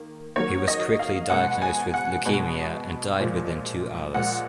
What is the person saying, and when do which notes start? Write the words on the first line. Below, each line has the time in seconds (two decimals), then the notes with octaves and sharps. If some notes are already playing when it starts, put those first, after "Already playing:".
He was quickly diagnosed with leukemia, and died within two hours.
Already playing: D#3 A#3
0.36 D#3 F#3 A#3 C#5
0.68 D#5
0.99 F5
1.30 B2 G#3 B3 F#5
1.62 G#5
1.94 F#5
2.25 B2 G#3 B3
3.19 A#2 F3 G#3
4.14 A#2 F3 G#3 F#5